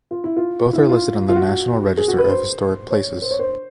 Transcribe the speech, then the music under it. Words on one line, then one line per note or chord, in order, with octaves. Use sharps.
Both are listed on the National Register of Historic Places.
F4
E4
F4
E4
F4
F4
F#4
G#4
F#4
B4
C5
C#5
C5
C#5
C5